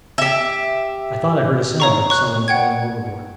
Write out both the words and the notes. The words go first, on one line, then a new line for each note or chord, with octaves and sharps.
I thought I heard a sound like some one falling overboard.
G4 E5
C#5 A#5 C#6
C#6 F#6
F#5 G5 G#6